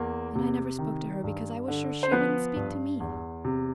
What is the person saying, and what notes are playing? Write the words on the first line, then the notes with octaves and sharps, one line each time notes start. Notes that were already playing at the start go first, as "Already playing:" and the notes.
And I never spoke to her because I was sure she wouldn't speak to me.
Already playing: E2 A#3
C3
D#3
G2
D3
C5
F3 B3 B4
G2
E2
C3